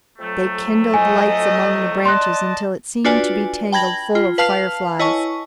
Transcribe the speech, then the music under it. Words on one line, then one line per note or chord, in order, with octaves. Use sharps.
They kindled lights among the branches until it seemed to be tangled full of fire-flies.
F2 F#3 A3
D#5 G#5
D5 D#5 A5 C6 F#6
D4 F4 F#4 B4 D5 G#5
G5 A5 B5 G#6 A#6 F#7
F4
B4 F5 A5 F6 C7 F7
E4 C#5 D#5 G#5 A5 C#6